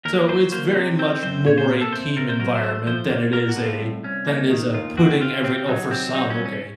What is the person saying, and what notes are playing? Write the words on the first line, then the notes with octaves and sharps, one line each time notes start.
So, it's very much more a team environment than it is a than it is a putting every Oh, for some, okay.
D#2 A#4
F#3 C5
A#3 C5
C3
C4 C5
F#2 C5
A#2 C#5
C5
A#3
A4
C3 C5
C3 A#4
C5
F#3 A#4
C5
A3
F3 C5
A#3
A#3 A#4
F#4
A2
F4
C2
C2 C#4
A#3 D#4
D#3
D#2 F4
C4 F#4
C4 F4
C4
F#3 D#4
C4
F#3 D#4
C#4
C2
C#4